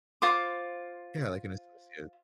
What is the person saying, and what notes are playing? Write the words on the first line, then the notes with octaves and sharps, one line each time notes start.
Yeah. Like an associate.
F4 C5 D6